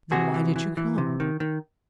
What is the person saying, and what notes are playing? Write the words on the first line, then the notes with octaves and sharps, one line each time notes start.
"Then why did you come?"
C3 F#4 G#4
E3
E3
E3
C3
D#3
D#3